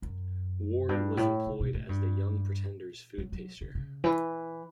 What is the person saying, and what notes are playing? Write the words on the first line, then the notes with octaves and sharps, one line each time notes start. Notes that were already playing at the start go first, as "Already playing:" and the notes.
Ward was employed as the Young Pretender's food taster.
F#2
G2
A2
C#3
B2
A2
G2
F#3
F#3
D3
C#3
E3